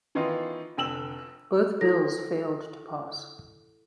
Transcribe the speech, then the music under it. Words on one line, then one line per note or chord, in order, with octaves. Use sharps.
Both bills failed to pass.
D#3 E3 B3 D#4 F4
F1 D3 G5 E6 E7 F#7
E4 A4 A#6